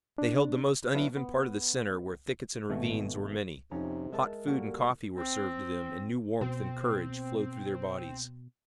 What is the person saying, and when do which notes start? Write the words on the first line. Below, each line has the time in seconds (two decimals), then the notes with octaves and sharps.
They held the most uneven part of the center, where thickets and ravines were many. Hot food and coffee were served to them, and new warmth and courage flowed through their bodies.
0.18 D4
0.94 F#3 B3 D4 E4 B4 F5
1.17 B3
2.70 G#1 B2 A3
3.71 F2 C3 C#4 D#4 A#5
4.13 G#3 A#4 E5 A5
4.47 G3 A#3 F#4 A4
5.15 C4
6.41 B2 C4